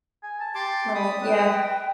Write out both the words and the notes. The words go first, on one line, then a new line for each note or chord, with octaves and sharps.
Right, yeah.
G#5
A5
G4 A5 C6 D6
B5 D#6
B4 G5